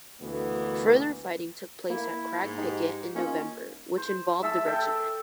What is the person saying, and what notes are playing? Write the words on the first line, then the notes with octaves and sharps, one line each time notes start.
Further fighting took place at Crag Picquet in November, which involved the regiment.
D2 B2 E3 A#3 B3
A#3 E4
G#2
D#4 G4
A#3 C#4 D#4 F4
C5
E5 A5 E6
A4 G5